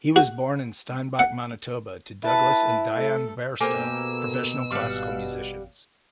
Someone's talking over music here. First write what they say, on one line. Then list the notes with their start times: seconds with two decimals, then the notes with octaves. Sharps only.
He was born in Steinbach, Manitoba, to Douglas and Diane Bairstow, professional classical musicians.
0.16 F#4
1.19 F#5
2.24 E4 B4 A5
2.94 A3 A4
3.60 B2 A#3 G4 A4 A#4 C5 G#5 E6
4.71 G#1 G3 F5 F#5